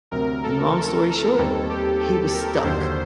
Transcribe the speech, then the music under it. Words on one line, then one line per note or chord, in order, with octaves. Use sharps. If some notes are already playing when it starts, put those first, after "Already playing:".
and long story short, he was stuck.
D2 C3 F#3 A#4
A4
A4
D#2 D#3 G3 C4 A4
G4
A4
A#4
D#2 D3 F#3 C5